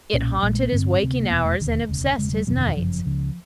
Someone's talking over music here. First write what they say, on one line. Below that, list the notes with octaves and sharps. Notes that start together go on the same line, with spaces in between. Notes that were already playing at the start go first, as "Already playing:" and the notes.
It haunted his waking hours and obsessed his nights.
B1 A#2 C#4
A#1 A#2 G3
G#3
A#3
A1 G2 D3 C4
D2 C3
A#3
F1 E2 B2 B3
A3
E1 D#2 D3
E1 D2 C#3
E1 D#2 C#3 G#3
G3
F#1 E2 B2 F#3
D3
D#3
G1 F#2 C#3 F3
C#2 C#3